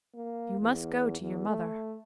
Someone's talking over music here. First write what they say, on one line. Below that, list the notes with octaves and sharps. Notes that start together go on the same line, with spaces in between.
"You must go to your mother."
A#3
E2
E2
A3